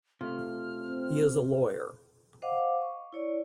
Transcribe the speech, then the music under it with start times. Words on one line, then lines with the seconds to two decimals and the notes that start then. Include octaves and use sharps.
He is a lawyer.
0.21 C3 A3 F4 F6
0.81 C4
2.42 C5 D#5 F5 F#5 D6
2.82 C#6
3.13 E4 C#5 D5